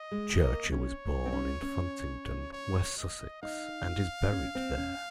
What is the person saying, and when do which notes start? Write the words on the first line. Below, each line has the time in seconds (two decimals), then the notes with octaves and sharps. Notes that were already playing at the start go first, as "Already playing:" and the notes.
Churcher was born in Funtington, West Sussex and is buried there.
Already playing: D#5
0.11 G#3
0.42 A#3
0.72 C#4 C#5
1.25 C4
1.32 C#4
1.62 C#4
2.53 C#5
2.98 D#5
3.42 D#4 F5
4.32 C#4
4.55 C4
4.78 C#4